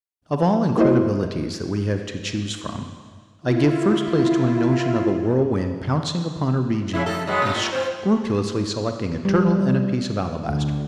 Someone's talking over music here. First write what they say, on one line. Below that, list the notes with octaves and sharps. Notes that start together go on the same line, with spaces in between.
Of all incredibilities that we have to choose from, I give first place to a notion of a whirlwind pouncing upon a region and scrupulously selecting a turtle and a piece of alabaster.
G3 A#3 E4 F#4 C5 D#5
E4 F4
A2 C#3 E4
F2 A4
F#3 G#3 B3
B2
A2
C4 C5
G3
D2